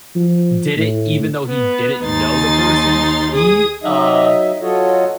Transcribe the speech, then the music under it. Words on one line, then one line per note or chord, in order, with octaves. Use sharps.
did it, even though he didn't know the person he, uh,
F3
A2
B3
D#2 D#4 C6 A6
G#4 D#6
F#3 D#4 D#5 E5
F#3 F4 F#4 A4 C#5 D#5